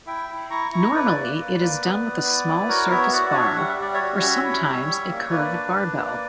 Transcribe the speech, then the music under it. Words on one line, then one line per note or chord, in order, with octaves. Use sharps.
Normally it is done with a small surface bar or sometimes a curved barbell.
E4 E5 G5
E4
E4 A#5 C#6
E4 A#5 C#6
E4 B4 D5
A#3
A#3
A#3
B3
B3
E4
E4
F#4 A#4 C#5
B3 C#5 E5
F#4 D5 F#5
F#5
D4 C#5 E5
G3 F#5
E5
G3 D5
C#5 E5
F#4
C#4
E4
G3
G3
A#3
A#3 B4 D5
D4
D4
A#3